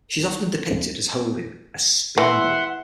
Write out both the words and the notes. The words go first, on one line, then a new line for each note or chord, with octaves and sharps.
She is often depicted as holding a spindle.
E3 E5 F#5 C6